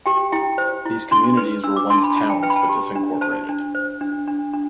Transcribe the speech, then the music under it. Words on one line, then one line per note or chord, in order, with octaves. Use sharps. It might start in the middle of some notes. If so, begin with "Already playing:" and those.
These communities were once towns but disincorporated.
G4 G5
E4 G5
C5
E4
D4 C6
B4
D4 E6
D6
D4 C6
A5
B5
D4 A5
G5
B4 G5
B5
A5
G4
D4
C5 A5
D4
C5
D4
D4
D4